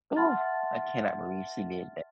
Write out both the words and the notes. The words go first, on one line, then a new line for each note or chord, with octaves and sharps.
ooh, I cannot believe she did that.
E5 F#5 A5 C6 F6 A6